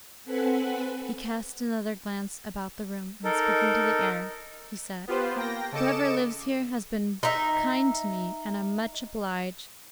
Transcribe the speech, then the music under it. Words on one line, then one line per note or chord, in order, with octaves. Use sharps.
He cast another glance about the room and, speaking to the air, he said: "Whoever lives here has been kind to me, and I'm much obliged."
C4 A4 B4 F#5 G#5 B5
D#4 A4 A#4
B3 F4 G4 B4 C5
A#3 G5 A#6
C#3 A4 D#5 D6 C#7 E7
D#4 E5